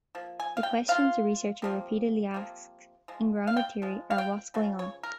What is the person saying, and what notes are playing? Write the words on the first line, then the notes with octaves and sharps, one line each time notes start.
The questions the researcher repeatedly asks in grounded theory are What's going on?
F3 A#3
G#5
F5
G5
F3 A#3 F4 F5
C3 F3 A#3
C3 F3 A#3
F3 G#3
F5
G5
F3 G#3
F5
G5
C#3 F3
C#5
A#4